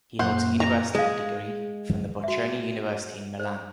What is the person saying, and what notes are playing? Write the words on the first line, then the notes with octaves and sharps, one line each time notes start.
He holds a University degree from the Bocconi University in Milan.
F#2 A#2 A#3 C5 F#5
A#5
G#3 G#4 F5
F#4 E5
C5